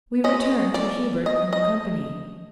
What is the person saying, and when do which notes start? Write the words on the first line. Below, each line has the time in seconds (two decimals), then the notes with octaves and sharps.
We return to Hubert and the company.
0.24 G#3 C#4 D#5
0.74 D5
1.26 D#5
1.53 D#5